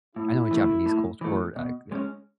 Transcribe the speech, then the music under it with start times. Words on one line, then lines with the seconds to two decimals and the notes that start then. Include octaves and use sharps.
I know in Japanese culture or, like, uh
0.16 A2 E4
0.51 E3 A3
0.86 A2
1.21 E3 A3
1.56 B2
1.92 G#3 C#4